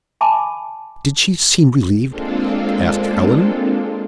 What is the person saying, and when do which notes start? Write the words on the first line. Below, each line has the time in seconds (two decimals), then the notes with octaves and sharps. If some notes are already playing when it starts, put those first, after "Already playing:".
"Did she seem relieved?" asked Allan.
0.21 E5 G#5 A5 B5 D6
2.09 G#3 A#3 C4 D4 F4 A4